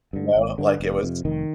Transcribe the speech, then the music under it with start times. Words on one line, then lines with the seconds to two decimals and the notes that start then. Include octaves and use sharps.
You know? Like, it was
0.13 G2 D3
0.35 G#1
0.58 G2 D3
0.80 F1
1.03 F2 C3
1.25 F1 D#3